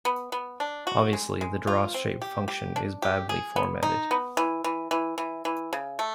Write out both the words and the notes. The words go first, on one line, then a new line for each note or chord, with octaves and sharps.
Obviously, the DrawShape function is badly formatted.
B3
B3
D4
F#4
G#3
G#3
F4
C4
G4
G4
D4
G4
G#4
B3
D#4
B3
E3
E3
E3
E3
E3
C#3
A3